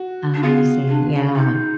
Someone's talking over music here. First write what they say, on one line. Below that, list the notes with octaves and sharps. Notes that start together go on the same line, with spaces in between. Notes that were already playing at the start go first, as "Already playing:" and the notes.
I see. Yeah.
Already playing: F#4
D4
B3 F4 G#4
D4
D#4